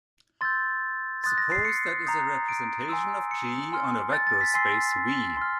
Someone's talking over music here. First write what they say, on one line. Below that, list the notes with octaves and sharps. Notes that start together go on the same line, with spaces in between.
Suppose that is a representation of "G" on a vector space "V".
C6 E6 G6 A6
C6 D#6 F#6 A6
A#6
C7
C#7
A#5 D#6 G6
D7
G#5 C6 E6
C#7
G#5 C6 F6
A6
A6
B6
G#5 C6 E6 C7
C6 F6